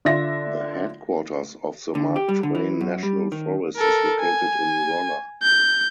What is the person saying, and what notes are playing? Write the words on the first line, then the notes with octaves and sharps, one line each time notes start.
The headquarters of the Mark Twain National Forest is located in Rolla.
D3 F4 E5 A#6
D3
G4
G3
D3
E3
F#2
G3
D#3
A4 A#4
G#5
G6